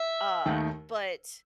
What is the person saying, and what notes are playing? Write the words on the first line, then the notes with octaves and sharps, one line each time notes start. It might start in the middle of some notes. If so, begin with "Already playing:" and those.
Uh, but
Already playing: E5
D#2 D#3 A3 D#4